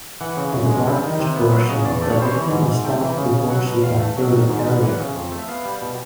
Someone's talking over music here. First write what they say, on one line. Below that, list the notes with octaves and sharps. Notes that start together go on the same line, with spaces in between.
In the broadcast version, the victim is stopped before she can kill the carrier.
E3 F#5
C#3
F#2
G#3
G3
D#3
C3
B3
F#3 E5
C#3 D#5
E2 D5
A3 D5
C#5
G3 C5
E3 C#5
G#2
G#2
A3 G5
E3
C#3
C#3
F#3 F#5
B2
E2 F5
A3
F#3
D#3
G#2
B3
E3 F#5
C#3
F2
A3
E5
B3 F5
G3
B2